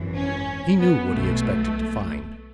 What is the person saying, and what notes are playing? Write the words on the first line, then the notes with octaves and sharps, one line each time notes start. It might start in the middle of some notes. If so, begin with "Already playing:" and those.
He knew what he expected to find.
Already playing: G#1 F#2 E3
C#4
B3
B1 B2 A3